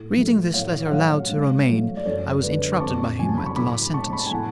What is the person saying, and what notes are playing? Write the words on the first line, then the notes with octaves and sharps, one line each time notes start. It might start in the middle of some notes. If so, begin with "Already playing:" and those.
Reading this letter aloud to Romayne, I was interrupted by him at the last sentence.
Already playing: A2
F#3 A3
A2 C#5 F5
F#5
F#3 A3 C#5 F5
G#2
F#3 A3
D5
F#2 A4 C#5
C#5
D3 G#3 B4 D5
D6
F2 A5 C#6
C#3 F#3 G#5
A5
B5
C#6
A2 B5 D6
G#3 A5 C#6
B5
A5
G#5
A2 F#5 A5